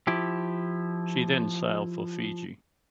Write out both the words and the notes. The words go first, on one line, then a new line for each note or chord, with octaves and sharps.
She then sailed for Fiji.
F3 E4 G4